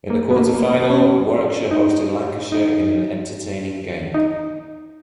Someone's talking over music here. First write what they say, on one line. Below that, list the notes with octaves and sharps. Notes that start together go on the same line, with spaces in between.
In the quarter-final, Warwickshire hosted Lancashire in an entertaining game.
A#3
B3
A#3
A#3
B3
B3
C#4
D#4
D#4
D#4